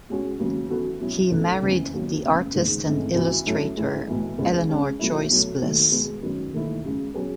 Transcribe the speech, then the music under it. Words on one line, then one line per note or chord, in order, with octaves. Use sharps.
He married the artist and illustrator Eleanor Joyce Bliss.
B2 G#3 C#4 F#4
D#2 C#3 F#3 B3
C#3 E3 B3 F#4 A4
B2 F#3 C#4 E4
C#2 B2 A3 D#4 A4
F#1 E2 C#3 E3
D#2 D#3 F#3
F#1 E2 C#3
F#1 E2 D#3 G#3 D#4
G#1 G#2 E3 A3 C#4
C#2 C#3 E3 B3 F#4
A2 F#3 C#4 E4 A4
A2 G#3 C#4 E4
B1 A2 E3
C#2 B2 G#3 C#4
C#3 G#3 C#4
B2 F#3 A3 E4
B2 F#3 A3
D#2 D#3 F#3 A3
B2 G#3 B3
F#2 D#3 F#3 B3
E1 D#2 D#3 A3 E4
F#2 C#3 G#3
B2 F#3 C#4 G#4 B4